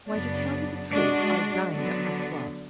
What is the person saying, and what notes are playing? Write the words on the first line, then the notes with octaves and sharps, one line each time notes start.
'Why, to tell you the truth, I dined at my club.
F#2 C#3 F#3 B3 D4
G#3 D4 F#4
D3 F#3 B3 D4